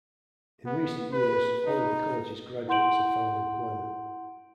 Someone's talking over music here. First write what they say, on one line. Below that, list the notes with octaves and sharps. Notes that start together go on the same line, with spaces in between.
In recent years, all of the college's graduates have found employment.
B3
B4
D#4
E4 F#5 C6 G6 D7 F#7